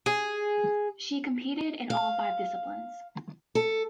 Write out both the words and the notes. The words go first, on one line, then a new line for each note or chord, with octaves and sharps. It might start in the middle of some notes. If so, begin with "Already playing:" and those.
She competed in all five disciplines.
G#4
F5
A4